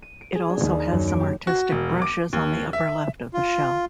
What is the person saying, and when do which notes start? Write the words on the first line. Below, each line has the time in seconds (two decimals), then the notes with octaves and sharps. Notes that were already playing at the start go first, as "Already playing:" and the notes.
It also has some artistic brushes on the upper left of the shell.
0.02 D#7
0.21 D7
0.35 G#4
0.50 D4
0.64 D#2
0.79 A#4
0.91 F#2
1.08 D7
1.20 G4
1.47 F#4
1.72 E1
2.02 D6
2.33 D#2
2.73 E5
3.34 F4